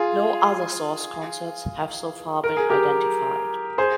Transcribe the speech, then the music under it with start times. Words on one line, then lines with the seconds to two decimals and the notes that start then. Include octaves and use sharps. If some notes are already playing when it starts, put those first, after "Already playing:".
No other source concerts have so far been identified.
Already playing: F4 G#4
2.44 A#4
2.57 G#4
2.70 G4 A#4
3.78 G#4 C5